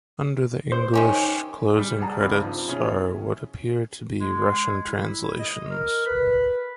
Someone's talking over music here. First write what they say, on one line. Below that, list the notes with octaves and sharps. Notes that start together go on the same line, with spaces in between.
Under the English closing credits are what appear to be Russian translations.
C5
D#3 C#4 G4
G3
G#4 D5 F#5 A5 A#5
G#1 C#2 G2
F3
B2 C#4 E4 G#4
G#3
E4
D#5
A#4
B4